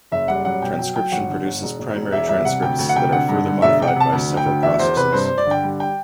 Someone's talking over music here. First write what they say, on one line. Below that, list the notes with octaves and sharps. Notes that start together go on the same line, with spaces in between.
Transcription produces primary transcripts that are further modified by several processes.
F#1 E5
G3 F#5
F#2 F#5
B2 G5
F#3 G5
F#3 G5
G1 F#5
D3
G1
E1
E1
E1
E2 E5
G3 E5
C3 F#5
D2 G5
D2
F#5
C3 G5
D3 F#5
G2
D3
E1 E5
C3 G5
F#5
C3 A5
D2
D3
G5
D2
E2 E5
E2 C5
C3 B4
G2 C5
G2 C5
D5
D3 G5
G3
G5